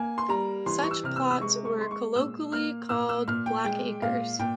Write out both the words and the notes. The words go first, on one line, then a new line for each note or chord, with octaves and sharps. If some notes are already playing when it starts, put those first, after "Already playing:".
Such plots were colloquially called "Blackacres".
Already playing: A#3 G#5
C6
G3 A#5
E3 C6
C#6
E6
C3 F6
E6
E6
G#3 C#6
C#6
G#3 C6
C#6
A#2 E6
A#3 F6
A#2 E6
E6
A#2 F6
G5
G#3 G5
A#2 F5
A#2 G5